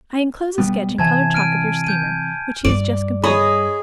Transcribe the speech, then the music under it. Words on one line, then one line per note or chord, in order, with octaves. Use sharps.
I inclose a sketch in colored chalk of your steamer, which he has just completed.
B2 G3 B3
C3 E3 G#5 A5 G#6
F6 D7 D#7
G6 D#7
G2 D5
G#4 C#5 D#5 B5